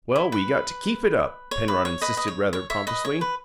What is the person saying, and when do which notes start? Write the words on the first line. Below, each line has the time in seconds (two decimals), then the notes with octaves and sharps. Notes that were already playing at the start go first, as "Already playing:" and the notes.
"Well, we got to keep it up," Penrod insisted rather pompously.
0.16 E4
0.32 B4
1.51 C#5
1.68 B4
1.85 C#5
2.02 B4 D#5
2.17 D#5
2.28 C#5
2.53 C#5
2.70 C#5 E5
2.87 B4 D#5
3.05 C#5
3.21 B4